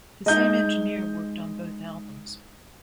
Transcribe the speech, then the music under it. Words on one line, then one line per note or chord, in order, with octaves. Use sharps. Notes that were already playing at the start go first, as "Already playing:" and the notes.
The same engineer worked on both albums.
G#3 D#4 D#5 G6